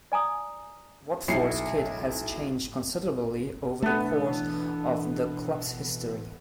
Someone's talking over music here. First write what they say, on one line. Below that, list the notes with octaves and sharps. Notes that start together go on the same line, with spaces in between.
Watford's kit has changed considerably over the course of the club's history.
D5 G#5 A#5 D#6
B1 E4 C7 C#7
B2 E3 A3 B3 D4 A4